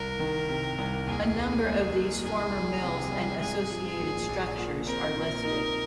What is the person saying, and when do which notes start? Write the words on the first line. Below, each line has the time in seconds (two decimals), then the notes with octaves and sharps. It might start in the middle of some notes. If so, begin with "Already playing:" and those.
A number of these former mills and associated structures are listed.
Already playing: C2 A#4
0.19 D#3
0.48 C3
0.78 C2
1.07 D#2 G#4
1.36 D#2
1.66 G#3
1.94 D#2
2.24 C2 G#4
2.53 G3
2.83 C3
3.12 G3
3.40 G#2 G#4
3.70 F3
3.99 A#1
4.29 A#1
4.58 A#2
4.87 C4 A#4
5.16 A#2
5.45 D#4